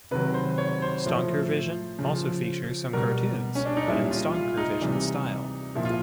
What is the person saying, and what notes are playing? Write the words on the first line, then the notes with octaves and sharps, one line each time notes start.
"Stankervision" also features some cartoons, but in "Stankervision" style.
C3 D#3 F#3 B4
C5
C#5
C5
A2 F3
C#3 F3
B2 G3 A#4
C#4
D4
D#4
A#2 G3 E4
F4
F4
D#4
C3 E3 G3
A#2 F3 E4
F4